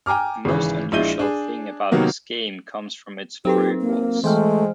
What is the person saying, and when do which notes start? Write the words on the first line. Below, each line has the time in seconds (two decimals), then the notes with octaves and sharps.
The most unusual thing about this game comes from its prequels.
0.06 G5 G#5 A#5 D6 F6
0.45 G#1 C#3 E3
0.92 A#1 G#3 E4 G6 D#7 G7
1.19 D4 G#4
1.92 C3 D#3 F#3 A#3 B3
3.45 F#3 C4 D#4 G4 A4 B4
3.81 A#3
4.24 E3 G#3 A3 C5 G5 F6